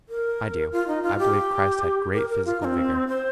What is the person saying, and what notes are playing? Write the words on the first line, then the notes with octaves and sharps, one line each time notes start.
"I do--I believe Christ had great physical vigor."
A#4
F4
D#4
F4
G4
A#4
A#4
F4
D#4
C4
C5